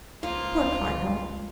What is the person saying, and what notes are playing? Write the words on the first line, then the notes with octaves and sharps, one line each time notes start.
Poor cardinal!
C#2 F3 A#3 F4 F5